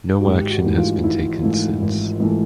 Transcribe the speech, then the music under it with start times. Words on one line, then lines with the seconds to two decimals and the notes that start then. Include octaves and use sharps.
No action has been taken since.
0.20 F#4
0.25 G#1 G4
0.51 F#4
0.65 G#2 E3 A3
0.78 F4
1.03 G#1 E4
1.43 G#2 E3 A3
1.81 G#1
2.20 G#2 E3 A3